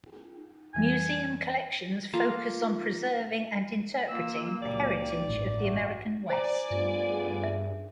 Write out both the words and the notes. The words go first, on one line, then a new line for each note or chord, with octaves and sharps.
Museum collections focus on preserving and interpreting the heritage of the American West.
F2 E3 G3 G#5
A#3 F4 A4
A#3 F4 E6
C#2 A#2 F#3 G4 D5
A1 G2
A3 F#4
C5 D5 G#5 A#5
G2 A3 B3 F4
E5